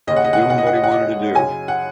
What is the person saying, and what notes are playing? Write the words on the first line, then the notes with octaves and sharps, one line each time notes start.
Doing what he wanted to do.
D#2 C#3 D#5
F#5
D#5
F#5
D#5
F#5
D#5
F#5
D#5
F#5
D#5
F#2 C#3 G#5
F#5